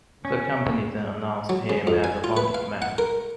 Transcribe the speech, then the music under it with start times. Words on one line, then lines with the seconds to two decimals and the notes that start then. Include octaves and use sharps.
The company then announced him as a wanted man.
0.25 C#4
1.49 F#3
1.70 C#3
1.87 F2
2.04 G#5
2.24 F4
2.37 B4
2.54 F5
2.82 F#5
2.98 A#4